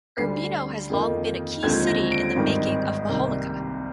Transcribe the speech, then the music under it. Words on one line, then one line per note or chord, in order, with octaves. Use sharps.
Urbino has long been a key city in the making of majolica.
D2 D3 G3 C7
F2 D#3 A#3 D#4
D#2 D3 F3 G#3 C4 G#6
A#6
D7
G#1 G2 D#3 G#3 D#4
C2 C3 D#3 A#3